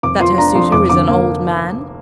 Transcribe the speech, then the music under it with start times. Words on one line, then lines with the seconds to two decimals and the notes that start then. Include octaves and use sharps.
That her suitor is an old man?
0.03 F1 D6
0.20 F3 C6
0.38 D4 A#5
0.55 F2 C6
0.72 F1 D6
0.90 D3 D6
1.08 A#3